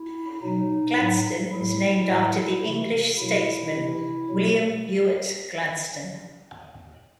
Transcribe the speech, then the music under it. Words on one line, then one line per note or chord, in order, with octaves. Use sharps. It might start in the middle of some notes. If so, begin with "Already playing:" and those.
Gladstone is named after the English statesman William Ewart Gladstone.
Already playing: E4
B2 F#3 D#4
A2 F#3
A2 F#3 E4
A2 E3
C3 E3
B2 F#3 E4
C3 E3
B2 F#3